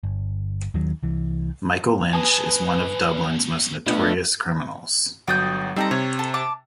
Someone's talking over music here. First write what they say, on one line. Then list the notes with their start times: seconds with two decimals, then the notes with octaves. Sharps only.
Michael Lynch is one of Dublin's most notorious criminals.
0.03 G1
0.74 D#2 D#3 F#3
1.03 C2 E3
2.13 A2 F#3 B4 G#5 A5 D#6
3.86 C#3 A3 B3 C#4 D4 F4 B4 D#5
5.28 G1 F#3 G5 D#6 G6 A6
5.76 G3 C4 D#4 A4 G5 A#5
5.91 C3 C#5
6.19 A4
6.34 A5 D6